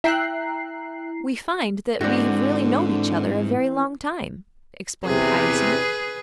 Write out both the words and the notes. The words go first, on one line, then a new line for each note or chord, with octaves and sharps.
"We find that we have really known each other a very long time," explained Hyacinth.
E4 E5 G5 A#5 F#6 C7
G#2 D3 E3 C4 F#4 D5
E2 C3 G#4 B4